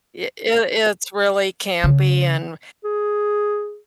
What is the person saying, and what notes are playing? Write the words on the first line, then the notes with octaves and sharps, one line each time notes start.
y it it's really campy, and
C#3
G#4